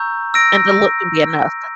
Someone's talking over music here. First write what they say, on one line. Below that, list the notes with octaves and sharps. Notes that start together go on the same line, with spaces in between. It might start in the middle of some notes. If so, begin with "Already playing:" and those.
and the look can be enough.
Already playing: A#5 C#6 E6 G6
E6 A#6 D7